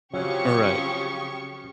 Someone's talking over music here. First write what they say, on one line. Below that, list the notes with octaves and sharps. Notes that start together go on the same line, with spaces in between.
Eh right.
C#3 F3 F#3 C4 C#4 G4 C#6